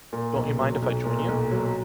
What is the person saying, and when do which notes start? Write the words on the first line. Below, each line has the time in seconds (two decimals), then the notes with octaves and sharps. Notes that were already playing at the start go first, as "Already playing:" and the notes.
Don't you mind if I join you?
0.13 A#2
0.36 B1
0.59 F#3
0.82 B1
1.05 A#2
1.28 B1
1.51 F#3